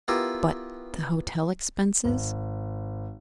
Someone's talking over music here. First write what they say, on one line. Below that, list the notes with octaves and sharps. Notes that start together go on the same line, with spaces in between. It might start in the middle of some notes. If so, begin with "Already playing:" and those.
"But the hotel expenses?"
B3 E4 F4 G4 A#4
G#1